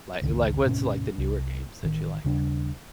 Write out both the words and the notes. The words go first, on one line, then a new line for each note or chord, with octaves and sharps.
like like, what's, like, the newer games that you like?
G1 C#2 D#3
D2 G#2 B2 C#4
C2
A1 D#3
D#2 C#3 G3 D4